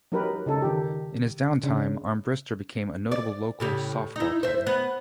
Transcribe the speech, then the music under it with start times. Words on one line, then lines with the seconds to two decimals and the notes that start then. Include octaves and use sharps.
In his downtime, Armbrister became a notable local softball player.
0.12 F#3 A#3 D#4 G4 A#4 B4
0.46 C#3 D#4 A4
0.62 D#3 G4
1.63 C#3 D4
3.12 D5
3.60 A2 C#3 G4
4.16 D#4 E4
4.43 C5 E5
4.67 B3